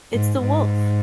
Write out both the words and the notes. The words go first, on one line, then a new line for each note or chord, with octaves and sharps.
It's the Wolf!
G#2
G#2